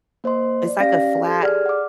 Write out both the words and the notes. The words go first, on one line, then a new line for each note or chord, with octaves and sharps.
It's, like, a flat
A#3 C5 D#5 C6
D5
C#4 G4 D5 F5 A#6
G4 A4 G#6
G#4 D5 F6
F#5 D6